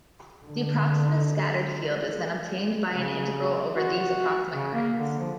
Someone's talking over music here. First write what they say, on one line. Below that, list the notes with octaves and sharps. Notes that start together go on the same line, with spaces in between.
The approximate scattered field is then obtained by an integral over these approximate currents.
D3
C#3
F#4
C#3
A#3
D3
F3